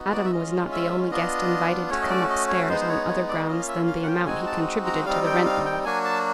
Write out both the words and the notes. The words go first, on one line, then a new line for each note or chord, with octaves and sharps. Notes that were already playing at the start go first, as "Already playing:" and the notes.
Adam was not the only guest invited to come upstairs on other grounds than the amount he contributed to the rent-roll.
Already playing: B3 D#4 F#4
D5
E5
G#3 C#4 F4 D#5
E5
B3 D4 F4 D#5
A3 C#4 F#4 C#5
D#5
D5
D#5
C#5
G#3 B3 D#4 C5
C5
C#5
C#5
D5
A#3 C#4 F4 D#5
F5
E5
F5
F#5
G5
G#3 C4 D#4 F#4 G#5
A5
A#5
G3 C4 D#4 F5
G5
F5
G5
F#3 A#3 D4 F#4 G#5
A5